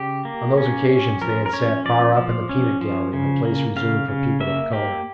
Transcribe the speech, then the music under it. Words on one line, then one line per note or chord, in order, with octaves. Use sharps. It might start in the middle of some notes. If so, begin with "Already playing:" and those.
On those occasions they had sat far up in the peanut gallery in the place reserved for people of colour.
Already playing: C#3 G4
A#3
C#4
C#4
F3 A#4
A#4
C#4 C#5
F3 D5
F3
C#4
F3
C#3
A#3
C#3 F5
C#3
A#3 E5
A#3 G4